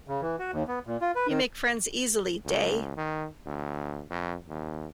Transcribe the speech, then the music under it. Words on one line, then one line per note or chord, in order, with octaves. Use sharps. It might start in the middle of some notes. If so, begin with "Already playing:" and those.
You make friends easily, Day.
C#3
E3
F#4
D#2
B3
A#2
F4
B4
D#3
C#2
D#3
D2
F2
D#2